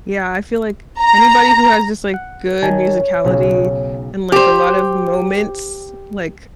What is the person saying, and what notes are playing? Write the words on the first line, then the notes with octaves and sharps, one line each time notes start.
Yeah, I feel like anybody who has just, like, good musicality and, like, a lot of moments, like
A#5
F#5
D#3 C#5 G#5 A5
B1 C#3
G4 C5